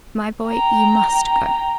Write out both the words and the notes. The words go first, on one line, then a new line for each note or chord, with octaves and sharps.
'My boy, you must go.
G5 A#5